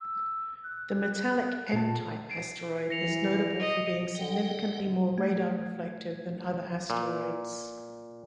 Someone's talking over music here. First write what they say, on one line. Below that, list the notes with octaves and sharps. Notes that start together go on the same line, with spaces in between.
The metallic M-type asteroid is notable for being significantly more radar-reflective than other asteroids.
E6
F#6
A#2 A5
C7 D7
E3 A#6 C#7 F7
D#5
D3 D#5 F#5 G5
A3 G#6
A#2